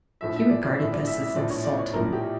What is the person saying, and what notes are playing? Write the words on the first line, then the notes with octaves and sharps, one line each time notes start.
He regarded this as insulting.
A#1 A2 F3 E5
E5
D5
D5
A#1 A2 F3 E5
D5
E5
E5
A#1 A2 F3 D5
C#5
D5
C#5
A#1 A2 F3 A#4
G4